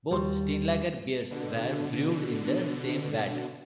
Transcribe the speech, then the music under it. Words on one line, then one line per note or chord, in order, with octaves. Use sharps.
Both Steinlager beers were brewed in the same vat.
D#2 G3 F#4 C6
B2 D3